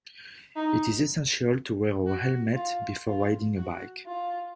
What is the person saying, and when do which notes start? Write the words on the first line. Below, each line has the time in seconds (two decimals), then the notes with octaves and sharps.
It is essential to wear a helmet before riding a bike.
0.56 D#4
2.06 F#4
2.56 F4
3.07 F4
3.57 F#4
4.06 F4